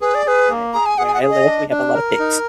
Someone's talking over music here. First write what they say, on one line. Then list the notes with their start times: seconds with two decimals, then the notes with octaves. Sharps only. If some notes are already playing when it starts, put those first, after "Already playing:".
So I where I live, we have a lot of pigs.
0.01 G#4 B4
0.15 D5
0.26 G#4 B4
0.50 A#3
0.73 G#4 A#5
0.86 G#5
0.98 G#4 F#5
1.08 G#5
1.14 F#5
1.22 G#4
1.30 D#5
1.46 D4
1.70 D4
1.94 A#4
2.19 D#4